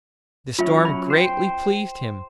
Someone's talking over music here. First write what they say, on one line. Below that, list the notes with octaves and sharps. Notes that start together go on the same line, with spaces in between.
The storm greatly pleased him.
F#3 C#4 F4 E5
B5
C5 G5